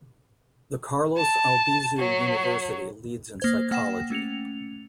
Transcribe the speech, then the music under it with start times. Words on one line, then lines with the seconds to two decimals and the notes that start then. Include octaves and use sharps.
The Carlos Albizu University leads in psychology.
1.17 A5
1.97 F#3
3.40 A#3 C5 G#6
3.71 A#3 F#5 G5 A#6 E7
4.10 A3 C#4 C#7 F7